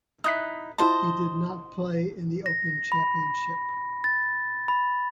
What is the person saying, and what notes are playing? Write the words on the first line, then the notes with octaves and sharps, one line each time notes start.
He did not play in The Open Championship.
D#4 E4 D#6 F#6 B6
E4 F4 C5 D#5 A5
A#6
B5
A6
B5